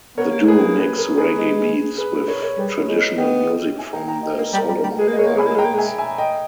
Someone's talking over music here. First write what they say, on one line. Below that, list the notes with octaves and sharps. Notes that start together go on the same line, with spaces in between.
The duo mix reggae beats with traditional music from the Solomon Islands.
B3 A#4 C#5
A#3
G#3 G#4 B4
A#3
G#4 B4
A#4
G#4 B4
G#3
G#4 B4
A#4 C#5
A#4 C#5
G3 G#4 B4
A#4 C#5
G#3
B4 D#5
B3 D#5 G5
E5 G#5
G5 A#5
G5 A#5
D#5 G5
A#3 B4 D#5
G3
A#4
G3
G3 A#4
G#3 G#4 B4
A#3
D#5
G#3 A#4 C#5
A#3
G#3 G#5 B5
A#3
G#3 G5 A#5
A#3
G#3 E5 G#5
E5 G#5
D#5 G5